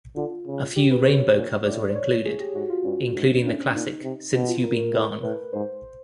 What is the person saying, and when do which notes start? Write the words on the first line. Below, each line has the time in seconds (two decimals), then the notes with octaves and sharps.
A few Rainbow covers were included, including the classic "Since You Been Gone".
0.16 D3 F4
0.47 C#3
0.76 G4
0.91 B4
1.05 C3 C#5
1.35 A#2
1.65 A2 D5
1.89 C5
1.95 C#5
2.25 A2 G#4
2.40 G4
2.54 G#2 F#4
2.70 F4
2.84 G2 C#4
3.14 G#2 D4
3.29 C#4
3.44 A2 D4
3.74 A#2 D#4
4.03 C3
4.33 B2
4.49 F4
4.63 A#4
4.93 A2
5.23 A2 B4
5.53 G#2 C5